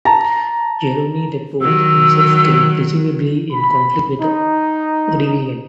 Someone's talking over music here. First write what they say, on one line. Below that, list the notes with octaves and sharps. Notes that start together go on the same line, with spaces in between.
Jerome reports him killed, presumably in conflict with Aurelian.
A5 A#5
D#3 F#3 E6
B5
D#4